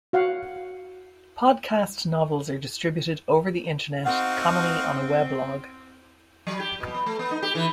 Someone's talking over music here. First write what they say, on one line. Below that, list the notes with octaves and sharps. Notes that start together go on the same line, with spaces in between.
Podcast novels are distributed over the Internet, commonly on a weblog.
F#4 F5 F#5
C4 D#4 F#4 F5 F#5
F#3
G4
B2
B3
A3
B3
D#4
G4
E3